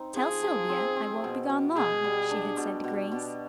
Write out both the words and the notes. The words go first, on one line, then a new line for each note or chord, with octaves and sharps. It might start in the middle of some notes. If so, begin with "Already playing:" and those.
"Tell Sylvia I won't be gone long," she had said to Grace.
Already playing: C4 D#4
F3 G#4
F3
C4
C4
B2
B2
B2 G#4
G3
D4
B2
B2
B2